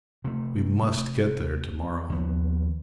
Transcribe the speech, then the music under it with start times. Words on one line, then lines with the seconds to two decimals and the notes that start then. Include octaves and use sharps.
We must get there to-morrow.
0.24 C3 A3
2.10 D#2 F3 B3